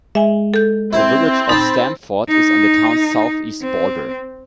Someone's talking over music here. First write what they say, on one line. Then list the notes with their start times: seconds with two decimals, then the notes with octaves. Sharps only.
The village of Stamford is on the town's southeast border.
0.15 G#3 E5 G#5
0.54 A4 G6
0.93 C4 E4
1.49 D#4 A5 B5 A6
2.28 D#4
3.62 C4